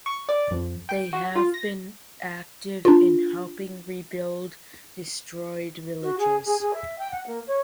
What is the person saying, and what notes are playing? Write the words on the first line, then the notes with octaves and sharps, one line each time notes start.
They have been active in helping rebuild destroyed villages.
C#6
D5
F2
G5
F#4
F4
A#6
D4 F4
F#4
G#4
G#4
G#4
E5
G5
F#5
A#3
C#5